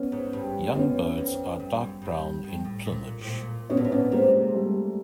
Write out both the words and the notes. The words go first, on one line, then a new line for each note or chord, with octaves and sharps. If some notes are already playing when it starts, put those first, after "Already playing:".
Young birds are dark brown in plumage.
Already playing: B3 C#4
G#2
G2
F#2 B3 C#4
F2
G2
F#2
G2
G2
A2
A#2
A2
A#2
B2 B3 C#4
A#2
C4 D4
A2
A#2 B3 C#4
C3 G#3 A#3
G3 A3